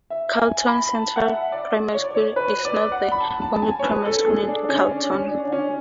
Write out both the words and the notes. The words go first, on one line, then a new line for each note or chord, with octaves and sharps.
Carlton Central Primary School is not the only primary school in Carlton.
E5
G#5
B5
A5
F#5
E5
D5
C#5
D5
C#5
B4
D5
F#5
B5
A5
A5
A5
G#5
C#5
B4
A4
A4
G#4
D4
C#4
D4
C#4
D4
D4
C#4